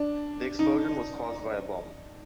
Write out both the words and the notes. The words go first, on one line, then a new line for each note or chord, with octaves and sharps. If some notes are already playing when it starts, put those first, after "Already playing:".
The explosion was caused by a bomb.
Already playing: D4
D#4